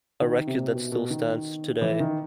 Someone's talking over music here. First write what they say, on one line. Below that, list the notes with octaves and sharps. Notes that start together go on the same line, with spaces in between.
A record that still stands today.
D#3
C3
B2
B2
D#3
E3
D#3